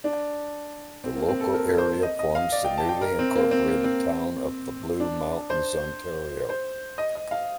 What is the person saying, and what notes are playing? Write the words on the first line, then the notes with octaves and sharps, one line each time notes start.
The local area forms the newly incorporated town of The Blue Mountains, Ontario.
D4
C4
A#3
C4
A4
A#4
C5
D#5
D#5
F5
D5
G5
A5
G5
A#4
C4
A#3
C4
A#3
C4
D4
C5
C5
D#5
D#5
F5